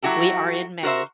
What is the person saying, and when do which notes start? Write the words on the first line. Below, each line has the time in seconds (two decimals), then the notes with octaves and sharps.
We are in May.
0.02 F#3 E4 F#4 G4 A4
0.83 F#4 A#4 C5 E5